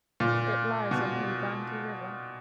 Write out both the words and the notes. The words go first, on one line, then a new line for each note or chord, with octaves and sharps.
It lies on the Ubangi River.
A#2
B2